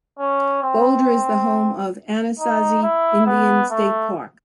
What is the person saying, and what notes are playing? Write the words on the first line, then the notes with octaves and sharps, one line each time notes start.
Boulder is the home of Anasazi Indian State Park.
C#4
C4
D#4
E4
B3
A3